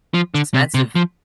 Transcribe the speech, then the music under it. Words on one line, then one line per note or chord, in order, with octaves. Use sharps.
It's expensive.
F3
D3
C3
C3
F3